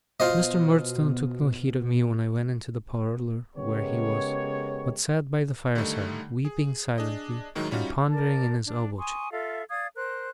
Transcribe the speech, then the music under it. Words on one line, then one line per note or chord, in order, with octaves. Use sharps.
Mr. Murdstone took no heed of me when I went into the parlour where he was, but sat by the fireside, weeping silently, and pondering in his elbow-chair.
B2 F4 C5 D#5
C#3 G#3 B3 G4 A#4 C#5
D3 D#3 G3 A3 D#4
G#4
D4 G#4 D#5
A2 D#3 F#3 G#3 D#4
G3 C#4 D#4 F4 F#4
A#4 D5 A5
D4
G#5 C6 C#6 D#6
F4 A4 E5 F5
D5 F5 D#6 G#6
A#4 C5 F#6